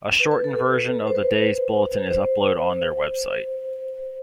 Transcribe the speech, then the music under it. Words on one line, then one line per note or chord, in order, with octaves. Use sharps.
A shortened version of the day's bulletin is upload on their website.
B4
B4
A4
A4
C5
B4
C5